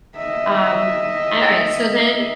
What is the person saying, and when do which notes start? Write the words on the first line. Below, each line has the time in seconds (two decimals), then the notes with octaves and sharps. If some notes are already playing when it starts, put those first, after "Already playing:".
Um, an all right, so then
0.17 D#5 E5